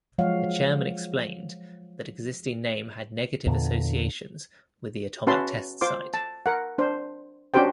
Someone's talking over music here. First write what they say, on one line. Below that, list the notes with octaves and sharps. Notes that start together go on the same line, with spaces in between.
The Chairman explained that existing name had negative associations with the atomic test-site.
F3 F#3 G#3 C#5 F5 F#5
E2 A#2 D3
C#4 F#4 B4 E5 A5 C6
F4 C5 C6 D6
A5
A#4 F#5
D4 C5
C#4 D4 F#4 G4 C5 G5